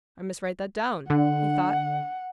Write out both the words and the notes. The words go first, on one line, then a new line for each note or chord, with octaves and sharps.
"I must write that down," he thought.
D3 F#5